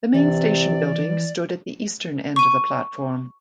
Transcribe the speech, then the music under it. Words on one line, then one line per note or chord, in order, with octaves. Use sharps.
The main station building stood at the eastern end of the platform.
C3 E3 D5
C#6 D#7